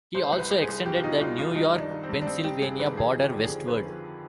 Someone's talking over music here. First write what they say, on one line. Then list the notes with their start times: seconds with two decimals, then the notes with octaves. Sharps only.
He also extended the New York - Pennsylvania border westward.
0.15 C2 C5
0.32 C2
0.38 B4
0.50 C2
0.62 G#4
0.68 C2
0.86 B2 G4
0.96 F4
1.03 B2 D#4
1.21 C2 F4
1.38 C2 F4
1.56 G2 D#4
1.73 D#3
1.80 D4
1.91 D#3
2.03 C4
2.09 G2
2.22 D4
2.27 G2 C4
2.44 G2 G4
2.62 G2 G#4
2.79 D#3 B4
2.97 F2 G#4
3.14 F3
3.20 G4
3.33 D3
3.44 G#4
3.50 F2
3.67 F2 B4
3.86 F3